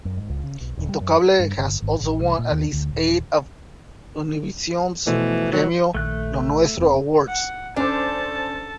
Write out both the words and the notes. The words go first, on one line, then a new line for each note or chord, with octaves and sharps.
Intocable has also won at least eight of Univision's Premio Lo Nuestro awards.
F#2
G#2
C#2
C#3
B1
D#1
G3
F#2
G2
G1
G#1
A1
C2
A#2
D#2
D2
D#1
B2 E3 F3 A3
F#3
A#1 D#3 A3 F#6
F1 C4
F#5
C#4 D4 A4 C5 A5